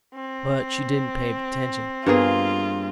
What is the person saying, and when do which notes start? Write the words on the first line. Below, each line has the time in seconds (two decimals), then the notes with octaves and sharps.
But she didn't pay attention.
0.14 C4
2.06 G2 A#3 B3 F4 G#4 B4